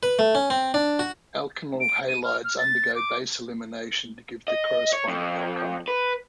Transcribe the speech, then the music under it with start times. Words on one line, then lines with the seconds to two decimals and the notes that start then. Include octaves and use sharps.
Alkenyl halides undergo base elimination to give the corresponding alkyne.
0.03 B4
0.19 A3
0.35 C#4
0.50 C4
0.74 D4
0.99 F#4
1.80 D7
2.08 D#7
2.24 F6
2.44 F6
2.59 A6
2.95 D6
4.48 D#5
4.93 C#5
5.08 F2
5.88 B4